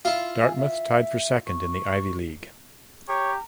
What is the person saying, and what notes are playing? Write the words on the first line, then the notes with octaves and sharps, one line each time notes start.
Dartmouth tied for second in the Ivy League.
E4 F4
G#5
E5
C#6
G4 C#5 A#5